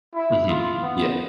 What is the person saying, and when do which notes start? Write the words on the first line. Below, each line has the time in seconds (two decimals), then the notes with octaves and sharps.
Mhm. Yeah.
0.15 E4
0.49 F4
0.83 B3